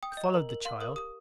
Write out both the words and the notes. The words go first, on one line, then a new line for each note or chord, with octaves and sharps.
I followed the child.
G5 D#6
G6
D#5
A#5
A#4
A#4
F5 C6
A#4 D#6
G4 D#6